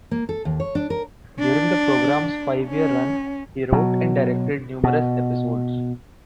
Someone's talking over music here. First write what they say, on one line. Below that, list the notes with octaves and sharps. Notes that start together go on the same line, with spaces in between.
During the program's five-year run he wrote and directed numerous episodes.
A#3
A4
D#2
C#5
D4
A#4
D4
C#4
B2 F#3
B2